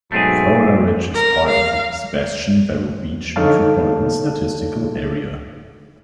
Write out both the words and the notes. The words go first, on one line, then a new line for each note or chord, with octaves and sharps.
Florida Ridge is part of the Sebastian-Vero Beach Metropolitan Statistical Area.
G#2 B2 F#3 A3 C4 G#4
A#4
F5
D3 D#4 A4 C#5 F5 A5